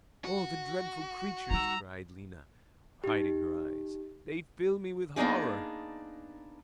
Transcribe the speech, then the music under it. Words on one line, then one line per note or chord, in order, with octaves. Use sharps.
"Oh, the dreadful creatures!" cried Lina, hiding her eyes; "they fill me with horror!"
F#4
G3 D#4 A#5 E6
D#4 G4
A#3 B3 D4 D#4 G#4